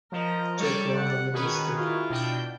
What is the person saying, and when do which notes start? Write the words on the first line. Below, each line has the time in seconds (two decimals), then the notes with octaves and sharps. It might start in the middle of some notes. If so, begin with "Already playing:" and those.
Jack go under limbo stick.
0.12 F3 A#4 D#5
0.59 G3 A4 C#5 D5
0.96 F#5
1.33 D#3 C#4 F#4 G#4 B4
1.75 E4 F4
2.10 B2 D4 G5